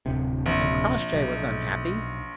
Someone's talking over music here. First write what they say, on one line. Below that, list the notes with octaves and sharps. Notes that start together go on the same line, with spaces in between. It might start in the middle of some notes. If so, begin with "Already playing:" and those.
And Crossjay was unhappy?
D1 C3
A#1
B1